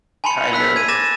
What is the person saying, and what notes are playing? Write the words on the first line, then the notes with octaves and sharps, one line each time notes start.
kind of
G#5 A5 B5 C6 C#7 F7
B5 E6 F#6 B6
G#6 D#7
D6 A6 A#6 E7